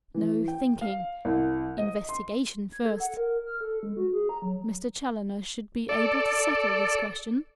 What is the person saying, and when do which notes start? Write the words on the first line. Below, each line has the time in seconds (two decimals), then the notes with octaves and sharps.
No thinking! investigation first. Mr. Challoner should be able to settle this question.
0.14 E3
0.48 G5
0.81 F5
1.25 C2
1.78 D#5
2.09 C6
2.72 G#6
2.85 A4
3.00 F#5
3.17 A#4
3.46 F6
3.61 A4
3.83 G#3
3.97 F#4
4.13 G#4
4.29 A#5
4.42 F#3
5.89 A4 D5